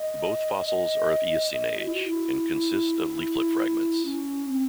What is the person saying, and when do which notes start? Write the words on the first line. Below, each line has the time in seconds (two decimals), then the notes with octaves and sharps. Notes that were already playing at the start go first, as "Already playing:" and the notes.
Both fossils are of Eocene age, and consist of leaflet fragments.
Already playing: D#5
0.66 D#5
1.50 D#5
1.80 F#4
1.86 E4
1.94 F#4
2.08 E4
4.05 C#4
4.49 C4